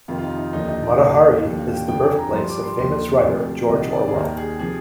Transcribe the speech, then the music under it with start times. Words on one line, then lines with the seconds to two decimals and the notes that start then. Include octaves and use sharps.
Motihari is the birthplace of famous writer George Orwell.
0.08 F2 C3 D#3 F4
0.18 F4
0.23 D#4
0.38 D#4
0.53 D#2 D3 F3 D#4
0.68 D#4
0.83 D5
0.98 D#2 D#3 D#5
1.13 F5
1.43 D#2 D3 F3
1.59 F5
1.74 G5
1.88 F2 D3 F3 G5
2.04 G#5
2.19 A#5
2.34 G2 F3 C6
2.49 D6
2.64 C6
2.79 D#2 D3 F3 C6
3.24 D2 C3 F3
3.69 C2 C3 D#3 D#5
3.92 D5
4.08 G#4
4.14 D#2 D#3 A#4
4.37 G#4
4.60 C3 F3 G#4